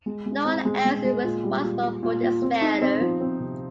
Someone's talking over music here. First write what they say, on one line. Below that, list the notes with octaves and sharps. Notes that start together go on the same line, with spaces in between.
No one else is responsible for this failure.
G#3
G#3
C4
G#3
G#3
G#3
A#2
G3
A#2
A#2
A#2
A#2
C4
D#4
C4
F3
C4
C3